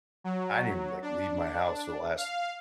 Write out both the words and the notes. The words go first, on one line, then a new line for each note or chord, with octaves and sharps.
I didn't even, like, leave my house for the last.
F#3
D4
F5